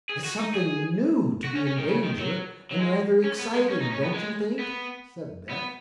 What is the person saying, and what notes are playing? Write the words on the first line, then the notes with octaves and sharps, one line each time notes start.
"It's something new to be in danger, and rather exciting, don't you think?" said Beth.
G#4
F#4
D#4
G#4
F#4
C#4
C#4
D#3
C#3
D#3
F#3
F#3
G#3
C#4
B3
G#3
C#4
D#4
C#4
B3
G#3
B3
B3